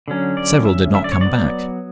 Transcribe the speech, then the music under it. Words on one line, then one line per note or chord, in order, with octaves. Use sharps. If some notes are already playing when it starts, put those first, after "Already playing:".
Several did not come back....
D3 F#3 C#4
D5
E5
E5
D5
C#5
F#3 B3 D5